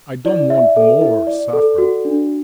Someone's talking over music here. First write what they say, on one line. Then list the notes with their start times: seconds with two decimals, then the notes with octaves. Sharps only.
I don't want more suffering.
0.25 E4 D5
0.50 D5 E5
0.76 A4 E5
1.01 E4
1.27 D5
1.53 A4
1.78 F#4
2.05 D4